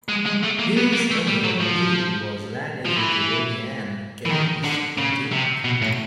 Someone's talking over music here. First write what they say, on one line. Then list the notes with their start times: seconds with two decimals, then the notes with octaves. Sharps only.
His elder brother Neil was land agent to Lady Anne Cavendish-Bentinck.
0.09 G#3
0.26 G#3
0.43 A3
0.59 A#3
0.77 B3
0.93 A#3
1.11 A3
1.27 G3
1.44 F#3
1.61 F3
2.85 F3
2.96 E3
4.26 E3
4.31 D#3
4.64 D3
4.98 C#3
5.32 C3
5.65 B2
5.82 A2